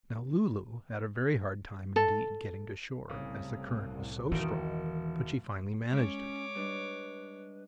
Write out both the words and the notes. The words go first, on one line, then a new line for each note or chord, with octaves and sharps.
Now Lulu had a very hard time, indeed, getting to shore, as the current was so strong, but she finally managed it.
A4
C2 A2 C#3
E1 D#3 E3 D7
G#3 C#4 C#5 D6
G3 D4 B4 D#5